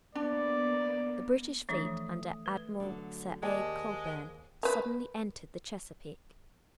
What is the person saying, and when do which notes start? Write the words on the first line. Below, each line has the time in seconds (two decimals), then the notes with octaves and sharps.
The British fleet under Admiral Sir A. Cockburn suddenly entered the Chesapeake.
0.15 A#3 B3 D4 D5
1.69 E3 F3 A3 D4 E5 D#6
2.46 B4
2.80 D3 F#3
3.43 D#2 G#3 G4 C5 D5 D#5 A5
4.63 A#4 B4